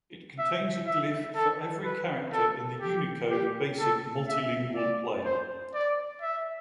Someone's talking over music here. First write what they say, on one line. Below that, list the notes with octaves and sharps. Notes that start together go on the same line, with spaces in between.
It contains a glyph for every character in the Unicode Basic Multilingual Plane.
E5
E5
A4
B4
A4
G4
G4
A4
E5
D5
C5
D5
E5